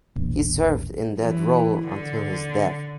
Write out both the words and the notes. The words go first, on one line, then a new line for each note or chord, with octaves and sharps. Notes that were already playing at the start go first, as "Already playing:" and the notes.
He served in that role until his death.
E1 A#1 E3
E3
D3